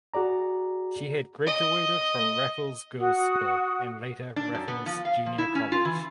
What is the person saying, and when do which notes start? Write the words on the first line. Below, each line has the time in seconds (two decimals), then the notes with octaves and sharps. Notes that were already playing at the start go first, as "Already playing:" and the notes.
She had graduated from Raffles Girls’ School and later Raffles Junior College.
0.14 F#4 G#4 D5 A#5
1.47 D#5
2.98 F#4 D#6
4.36 D4
4.55 F#2
4.68 B3
4.86 F3
5.05 F5
5.26 F3
5.38 E4
5.55 C#4
5.72 F4
5.85 E3